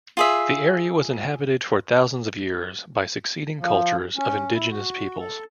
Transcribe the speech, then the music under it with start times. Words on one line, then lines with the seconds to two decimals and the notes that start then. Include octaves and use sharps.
The area was inhabited for thousands of years by succeeding cultures of indigenous peoples.
0.17 F4 G#4 E5
3.59 F3
4.17 C#4
4.54 E4
4.71 F#4
5.19 A4